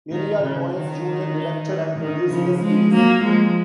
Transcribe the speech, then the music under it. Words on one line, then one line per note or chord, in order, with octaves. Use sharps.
Eliot Noyes Junior directed and produced the series.
D#3
C#3
D#3
D#3
C#3 F3
F3 G#3
F#3 A#3
F3 G#3